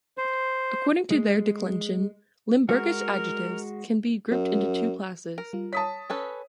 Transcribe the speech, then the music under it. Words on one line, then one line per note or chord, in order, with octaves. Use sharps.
According to their declension, Limburgish adjectives can be grouped into two classes.
C5
G#3
G#3 F#4 A#4
F#2
A#4
G3 F4
C#5 A5 D#6 B6
C#4 A4 B4